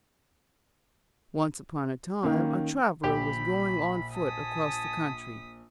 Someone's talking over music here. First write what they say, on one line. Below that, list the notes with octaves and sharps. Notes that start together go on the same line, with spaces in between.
Once upon a time, a traveler was going on foot across the country.
D#3 A#3 C#4
A#1 G4 B5
G#5 A5 D#6 B6